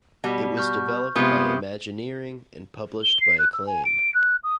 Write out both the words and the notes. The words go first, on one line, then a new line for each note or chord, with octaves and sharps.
It was developed by Imagineering and published by Acclaim.
B2 G3
C#6 F6 G6
C3 G#3 B3 F4 B5 D#6 G6
G7
C7
F#6
E6
G#5
D7
F#6
D#6